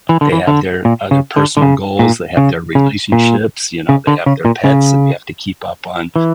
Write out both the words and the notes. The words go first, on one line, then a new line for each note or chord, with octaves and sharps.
they have their other personal goals, they have their relationships, you know, they have their pets, and you have to keep up on
E3
D3
E3
D3
A#2
C#3
D3
D3
C#3
A#2
C#3
C#3
A#2
C#3
D3
C#3
A#2
C#3
E3